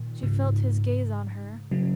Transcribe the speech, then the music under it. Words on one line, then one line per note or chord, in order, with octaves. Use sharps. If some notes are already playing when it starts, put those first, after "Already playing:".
She felt his gaze on her.
Already playing: A#2 D#3
G#2 C#3
C#3 F#3